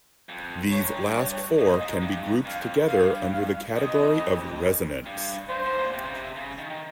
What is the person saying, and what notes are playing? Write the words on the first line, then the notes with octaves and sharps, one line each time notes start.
These last four can be grouped together under the category of resonants.
F2
G2 C#5
G#2
G2
C#5
A#2 D#5
G#2
G2
F2 F5
G2 F5
F5
F2 D#5
G2
G2 C5
G#2
A#2
C3
C#3
C3
C#3
D#3
D#3